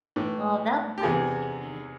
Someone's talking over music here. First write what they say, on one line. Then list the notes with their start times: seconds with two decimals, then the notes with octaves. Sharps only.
Well, that might mean she can.
0.16 A2 E3
0.98 G4
1.03 E2 C3 E3 G#4